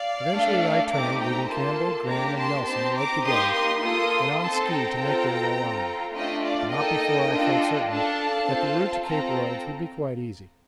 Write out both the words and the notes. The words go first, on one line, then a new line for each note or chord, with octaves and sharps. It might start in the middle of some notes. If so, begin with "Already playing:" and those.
Eventually I turned, leaving Campbell, Gran, and Nelson roped together and on ski to make their way onward, but not before I felt certain that the route to Cape Royds would be quite easy.
Already playing: D5 F5
A3 D4 A4
A3 C4 D#4 G4 A#5 D6
G5 A#5
A#3 F4 A4 A5 C6
A#3 D4 G4 A#5 D6
A5 C6
C4 D#4 G4 A5 C6
A#5 D6
A#3 D#4 G4 C6 D#6
C6 D#6
A#3 F4 A4 C6 D#6
C4 D#4 A4 A5 C6
G5 A#5
C4 F4 A4
C4 F4 A4
A3 D4 F4 D#5 G5
D5 F5
A#3 D#4 A4 D#5 G5
D4 F4 A4
D4 A4 F5 A5
C4 F4 A4
C4 F4 A4 G5 A#5